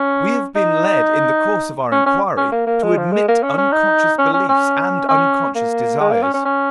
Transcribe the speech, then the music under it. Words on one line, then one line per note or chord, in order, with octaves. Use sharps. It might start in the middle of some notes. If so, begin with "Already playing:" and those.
We have been led, in the course of our inquiry, to admit unconscious beliefs and unconscious desires.
Already playing: C#4
D#4
C#4
C#4
C#4
A#3
A#3
G#3
F3
G#3
A#3
C#4
C#4
D#4
C#4
C#4
C#4
C#4
A#3
G#3
A#3
C#4
C#4
C#4